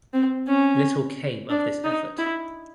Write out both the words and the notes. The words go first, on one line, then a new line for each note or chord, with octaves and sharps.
Little came of this effort.
C4
C#4
D4
D#4
E4